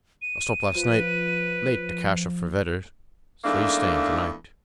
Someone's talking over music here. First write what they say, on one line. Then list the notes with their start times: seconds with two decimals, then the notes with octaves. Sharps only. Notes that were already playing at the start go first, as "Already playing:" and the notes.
I stopped last night late to cash up for Vedder, so he's staying to-night.
0.22 D#7
0.75 F3 B4
3.44 E2 G#2 A3 A#3 D4